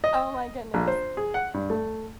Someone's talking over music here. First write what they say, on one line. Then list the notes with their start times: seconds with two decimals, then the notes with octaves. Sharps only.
oh my goodness.
0.04 D#5
0.74 A#1
0.88 C5
1.17 G#4
1.34 F#5
1.54 G2
1.70 A3